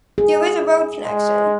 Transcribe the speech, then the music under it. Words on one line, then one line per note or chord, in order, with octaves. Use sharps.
There is a road connection.
G#4
G#3